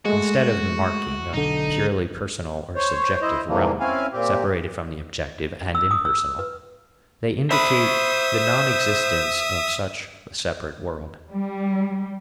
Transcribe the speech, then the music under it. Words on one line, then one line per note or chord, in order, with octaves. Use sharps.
Instead of marking a purely personal or subjective realm, separated from the objective and impersonal, they indicate the non-existence of such a separate world.
G#3 A3 F#4
B1 D3 D#4
C5 C#5
E4 C5 D#5
G#2 C3 E3 F3 G3 A#3
C4 C#4 E4 F5 G#5
A#2 C4 G4
E6
D#6
E6
B4
C5 E5 B5 D#6
G3